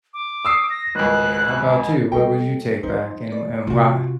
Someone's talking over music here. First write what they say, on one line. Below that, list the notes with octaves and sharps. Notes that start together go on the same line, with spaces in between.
Yeah, how about you? What would you take back and and why?
D6
D#6 E6 C7
A#6
G#1 C#2 F#6
G3 A4 D#5 G5
F3 D#4 C5
D5
C3 F4 F#4